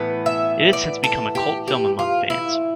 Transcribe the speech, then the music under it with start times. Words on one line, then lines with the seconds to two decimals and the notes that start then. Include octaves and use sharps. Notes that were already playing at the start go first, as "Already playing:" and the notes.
It has since become a cult film among fans.
Already playing: A2 E3 B3
0.26 E5
0.73 D5
1.04 A4
1.35 G4
1.68 G4
1.99 F4
2.30 E4